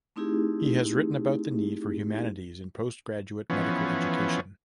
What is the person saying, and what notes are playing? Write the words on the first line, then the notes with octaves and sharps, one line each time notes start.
He has written about the need for humanities in postgraduate medical education.
A3 C4 D#4 E4 G4 G#4
E3 F3 B3 C#4